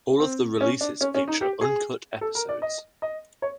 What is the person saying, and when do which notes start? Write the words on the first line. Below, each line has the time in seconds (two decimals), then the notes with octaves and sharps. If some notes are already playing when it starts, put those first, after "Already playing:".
All of the releases feature uncut episodes.
0.20 C4
0.61 C#4
0.81 D4
1.01 C#4
1.14 C#4
1.28 D#4
1.41 G4
1.61 G#4
2.21 A4
2.35 A#4
2.49 D5
2.62 D#5
3.02 D#5
3.42 C#5